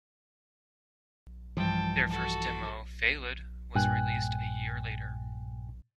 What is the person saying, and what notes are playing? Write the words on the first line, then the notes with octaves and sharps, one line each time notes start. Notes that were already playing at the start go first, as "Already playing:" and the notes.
Their first demo, "Feiled", was released a year later.
G2 E3 F3 G5 A5
F#4 A4
G2 A#2 G5 G#5 F#6